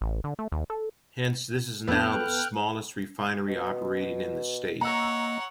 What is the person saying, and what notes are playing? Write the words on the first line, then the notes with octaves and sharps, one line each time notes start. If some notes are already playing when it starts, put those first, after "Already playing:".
Hence, this is now the smallest refinery operating in the state.
A1
D3
A3
D#2
A4
F2 B3 D4 A4 B4 G5 F6 F#6
B2
A#3 C#5 D#5 F#5 A#5 E6